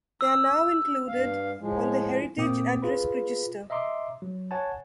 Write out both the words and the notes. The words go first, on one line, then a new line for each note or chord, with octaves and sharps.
They are now included on the Heritage at Risk register.
E6
G2 F5
A2 F3 G#3
A#2 A#3 C4 G5 D6 D#6
F4 G#4 B4 B5
D#5 E5 A#5 C6 D6
F#3
C#5 F#5 G#5 A5